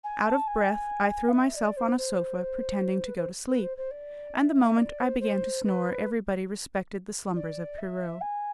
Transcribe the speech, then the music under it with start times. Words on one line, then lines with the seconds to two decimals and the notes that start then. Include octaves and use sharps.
Out of breath, I threw myself on a sofa, pretending to go to sleep, and the moment I began to snore everybody respected the slumbers of Pierrot.
0.04 G#5
0.26 A5
0.47 G#5
1.28 F5
1.34 E5
1.55 D5
1.77 C5
1.98 C5
3.06 B4
3.16 C5
3.49 B4
3.62 C5
3.77 C5
3.91 D5
4.35 E5
4.55 E5
4.77 D5
5.00 C5
5.20 C5
5.64 B4
7.36 D5
7.78 E5
8.21 G#5